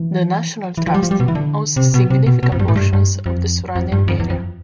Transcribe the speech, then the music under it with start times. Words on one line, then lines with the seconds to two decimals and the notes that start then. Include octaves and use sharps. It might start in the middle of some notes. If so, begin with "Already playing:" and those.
The National Trust owns significant portions of the surrounding area.
Already playing: E3
0.78 E3
0.87 F3
0.94 G3
1.03 F3
1.11 G3
1.20 B2
1.28 E3
1.35 D3
1.76 C3
1.94 B2
2.10 C3
2.26 B2
2.43 B2
2.52 F2
2.59 G2
2.68 A2
2.75 G2
2.93 G2
3.26 F2
3.75 F2
3.92 G2
4.08 F2
4.20 E2
4.30 F2